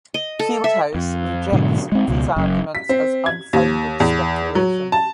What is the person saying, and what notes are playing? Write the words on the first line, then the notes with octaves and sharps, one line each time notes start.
Fieldhouse rejects these arguments as unfounded speculation.
D#5
A4
E5
F2
G#2 B2 D3 F#3
G#3 C4
C#2 B2
F#1 F#2
B6
C4
G#6
D#2
E2
F#3
A5